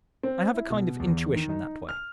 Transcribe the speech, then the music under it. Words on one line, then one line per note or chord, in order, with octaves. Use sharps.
I have a kind of intuition that way.
C4
E4
B2
E2
D#3
D#4
F6